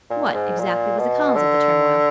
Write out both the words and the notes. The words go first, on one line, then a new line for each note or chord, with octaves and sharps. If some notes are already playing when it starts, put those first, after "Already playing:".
What, exactly was the cause of the turmoil?'
A#2
G#2
A#2
B2
D3